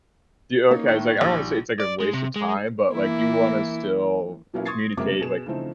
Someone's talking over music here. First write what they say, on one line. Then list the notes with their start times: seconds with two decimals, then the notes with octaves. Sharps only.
Do you? Okay, I was like I don't wanna say it's like a waste of time, but, like, you wanna still communicate. Like,
0.71 A#3 C#4 D#4
0.88 A2 D#3 A3
1.21 A#1 D#3 G3
1.80 D5
2.00 G#3
2.14 C3
2.36 G#3
2.92 E3 A#3 E4
4.54 B2 F#3 A#3 C#4 E4 F4
4.65 C6 C#6 D#6 G#6 A6 C7
4.97 F#1 F#2 C3 G#3 A#3 D6
5.21 B2 G#4 E7
5.46 C#3 E3 F3 A3 C4 D#4